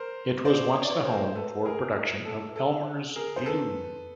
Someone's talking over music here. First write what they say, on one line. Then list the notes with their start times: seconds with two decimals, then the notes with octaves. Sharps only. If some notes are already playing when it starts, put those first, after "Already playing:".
It was once the home for production of Elmer's Glue.
Already playing: A#4 C5
0.45 C5 D5
0.75 C#5
0.83 D5
0.90 B4 C#5
1.05 A#4 C5
1.24 C5
1.35 A4 B4
1.65 G#4 A#4
2.25 A4
2.56 A4
3.16 G#4 A#4
3.36 C5
3.46 A4 B4